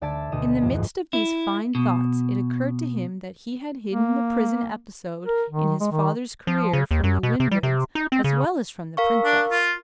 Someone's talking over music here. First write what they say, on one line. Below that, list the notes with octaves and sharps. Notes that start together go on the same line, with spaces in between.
In the midst of these fine thoughts it occurred to him that he had hidden the prison episode in his father's career from the Winwoods as well as from the Princess.
D2 D5 E5 A5 G#6 D7
D2 B2 D#5 D#6 E7
A1 F2 G3
G#2 F3
E4
B2
A#3
A#4
D#3
G#3
D#3
F3
C#3
D#2
F#2
B2
C3
G3
C3
D#4
C4
C#3
A#4 F5 C#6
D4
F4